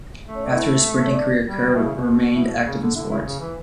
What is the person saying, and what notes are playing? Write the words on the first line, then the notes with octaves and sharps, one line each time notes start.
After his sprinting career, Kerr remained active in sports.
A3
C#4
D4
E4
C#4
D4
G3
B2 E4
C#3
B2
E4
C#3
D3
D3 E4
C#3 E4
C#3
E3